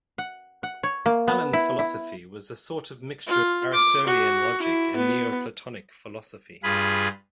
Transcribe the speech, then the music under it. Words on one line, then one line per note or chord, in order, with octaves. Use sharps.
Alan's philosophy was a sort of mixture of Aristotelian logic and Neoplatonic philosophy.
F#5
F#5
C#5
A#3
B3
E4
E4
F4
D6
F#4
E4
B3
G2 F4 G#4 B5